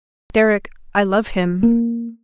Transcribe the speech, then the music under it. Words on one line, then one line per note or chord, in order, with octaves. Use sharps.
"Deryck--I love him."
A#3